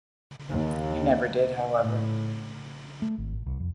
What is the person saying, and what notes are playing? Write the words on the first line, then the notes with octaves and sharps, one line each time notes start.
He never did, however.
D#2
A2
A3
G#1
A1
C2
F2